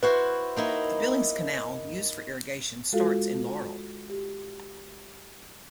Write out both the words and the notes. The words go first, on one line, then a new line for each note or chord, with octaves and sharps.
The Billings Canal, used for irrigation, starts in Laurel.
E4 F#4 B4 C5
A#3 D#4 E4
G#3 F4 F#4 A4 F5
G4